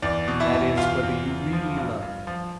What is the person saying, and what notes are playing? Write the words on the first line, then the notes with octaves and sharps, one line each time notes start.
"That is, whether you really love me?"
E2 D5
B2
E4 E5
E2
E2 F4 F5
E2
E2
F3
G2
G2
F3